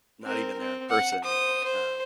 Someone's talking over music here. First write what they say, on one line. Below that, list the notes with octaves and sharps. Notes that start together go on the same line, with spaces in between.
not even there in person, um,
C4 A#4
C4
F#5
C5 D#6
C5